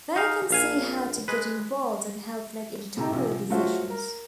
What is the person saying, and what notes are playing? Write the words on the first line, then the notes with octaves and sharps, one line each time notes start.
They can see how to get involved and help make editorial decisions.
D#4 F5
A#1 F5 G#5
G#3 B4
A2 C3 A4 G5 A#5
A#1 C3
F#3 A3 F4 F#4 C5 C#5
A#4